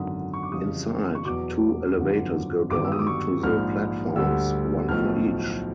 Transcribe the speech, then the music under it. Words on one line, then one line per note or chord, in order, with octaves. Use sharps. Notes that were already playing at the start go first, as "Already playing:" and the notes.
Inside, two elevators go down to the platforms, one for each.
Already playing: G#1 F#2 D3 D#6
C#6
D6
F2 C#3 E3 G3 D#6
C#6
E2 B2 F#3 D6
G#1 F#2 D3 F3
G1 G2 D#3 F#3 D6
E6
D#6
D6
C#6
A#1 G#2 F3 F6
D2 D3 G3 E6
B1 A2 F3 F6